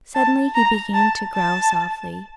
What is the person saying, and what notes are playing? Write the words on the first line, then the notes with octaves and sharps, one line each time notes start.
Suddenly he began to growl softly.
A5
A#5
A5
A5